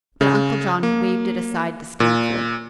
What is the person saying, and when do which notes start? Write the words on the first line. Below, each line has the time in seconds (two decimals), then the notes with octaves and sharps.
But Uncle John waived it aside disdainfully.
0.21 C#3
0.83 A#3
2.00 A#2